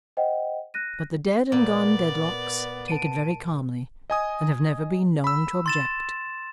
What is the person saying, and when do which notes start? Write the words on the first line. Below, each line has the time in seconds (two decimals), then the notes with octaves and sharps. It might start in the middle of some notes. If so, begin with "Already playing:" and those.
But the dead-and-gone Dedlocks take it very calmly and have never been known to object.
0.17 C5 D#5 F#5 G5
0.74 F#6 A#6 D#7
1.52 A#2 B3 D5
2.88 A5 D7 D#7
4.10 D#5 G#5 D#6
5.24 B5 E6
5.66 C6 A6 E7